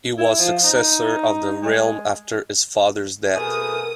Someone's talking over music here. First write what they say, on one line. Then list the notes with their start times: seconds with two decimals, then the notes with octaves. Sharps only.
He was successor of the realm after his father's death.
0.18 E4
0.38 F3
0.64 D#4
1.62 G#3
3.35 B2 A3 G#4 A#4 D#6